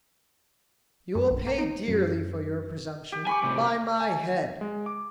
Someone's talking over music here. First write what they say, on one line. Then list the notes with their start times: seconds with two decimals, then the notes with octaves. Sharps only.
You will pay dearly for your presumption, by my head!
1.15 F#2
1.30 A#1
1.47 A#3
1.58 D#4
1.88 F#2
3.12 G4
3.27 G#5 B5 C#6 D6
3.43 A2 C3
4.00 G#5
4.61 G#3
4.86 D6